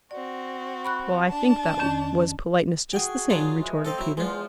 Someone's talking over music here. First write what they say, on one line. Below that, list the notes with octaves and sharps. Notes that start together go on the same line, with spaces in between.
"Well, I think that was politeness just the same," retorted Peter.
C4 F#4 D5
B5 C#6 F#6
D4 A5
F2 D#3 C#4
F#4 G#4 G5 G#5
F#3 D4 F4
E3 G#3
C4 A4 D#5 F5
F#3 E4
E2 F3 G#3 F4